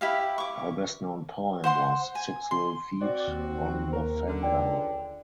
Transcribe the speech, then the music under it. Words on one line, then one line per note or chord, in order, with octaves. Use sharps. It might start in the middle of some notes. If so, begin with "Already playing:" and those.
Her best known poem was "Six Little Feet on the Fender".
E4 G4 F5
C#6 D6
C5 F#5 C6
G#5
C6
C4 F#4 D5
D#2
A#4
D3
C#2 D5 G5